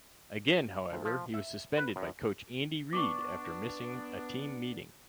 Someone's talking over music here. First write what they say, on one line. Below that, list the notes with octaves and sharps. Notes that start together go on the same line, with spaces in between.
Again however, he was suspended by Coach Andy Reid after missing a team meeting.
D2
F3
E5
B4
F#2
B3 D4 C#6 D6